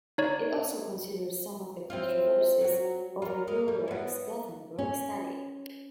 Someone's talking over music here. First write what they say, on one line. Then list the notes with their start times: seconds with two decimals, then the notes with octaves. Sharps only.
It also considered some of the controversies over Gillberg's Gothenburg study.
0.18 D#4 C#5 D5
1.90 C4 E4 F4
2.61 F#3 F#4
3.22 F4 A#4
3.47 G#3 A#4
3.68 G3
3.88 B3 E4
4.79 C#4